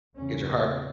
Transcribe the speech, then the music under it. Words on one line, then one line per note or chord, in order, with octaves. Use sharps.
Get your heart
E2 C#3 C#4
C4